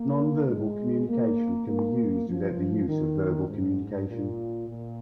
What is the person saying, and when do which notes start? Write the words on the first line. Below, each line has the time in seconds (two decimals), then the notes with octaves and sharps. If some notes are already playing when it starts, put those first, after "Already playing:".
Nonverbal communication can be used without the use of verbal communication.
Already playing: A#3
0.48 G#3
1.09 A#3
1.68 A#3
2.28 F3
2.88 D#3
3.49 G#2
4.09 A#2
4.68 A#2